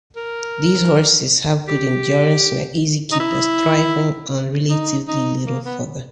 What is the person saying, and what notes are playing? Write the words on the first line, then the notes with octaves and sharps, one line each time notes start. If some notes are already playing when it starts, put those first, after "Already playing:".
These horses have good endurance and are easy keepers, thriving on relatively little fodder.
A#4
G4
D#4
E4
D#4
D#4
A#3
B3